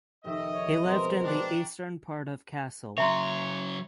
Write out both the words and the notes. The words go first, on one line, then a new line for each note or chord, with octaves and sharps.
He lived in the eastern part of Kassel.
F1 D#3 G4 D#5 E5
C#5
B2 G#3 C4 A#4 C5 E7
D4 C#5 G5 A#5
C#3 F#3 C#5 E5 A#5 C6